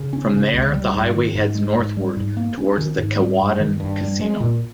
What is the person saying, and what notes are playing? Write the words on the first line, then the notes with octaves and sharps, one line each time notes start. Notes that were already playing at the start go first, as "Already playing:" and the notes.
From there, the highway heads northward towards the Kewadin Casino.
Already playing: C#3
C#4
C#3
C#2
G3
G#2
D#3
G#2
G#3
G#2
G3
G#2
A#3
C#4
D#3
G#2
G3
G2
D#3
G2
G3
G#3
A#2